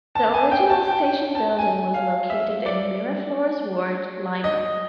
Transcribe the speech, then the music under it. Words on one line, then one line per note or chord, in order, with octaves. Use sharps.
The original station building was located in Miraflores Ward, Lima.
A5
G#5
G5
A5
G5
A5
G#5
F5
E5
D5
D#5